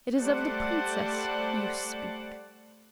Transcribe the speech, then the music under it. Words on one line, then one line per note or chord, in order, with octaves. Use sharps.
"It is of the princess you speak."
G3 A3 C5 D5 F#5 A5